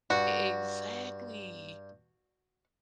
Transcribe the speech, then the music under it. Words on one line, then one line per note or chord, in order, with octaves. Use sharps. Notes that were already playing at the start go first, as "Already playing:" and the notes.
E exactly.
G2 F#4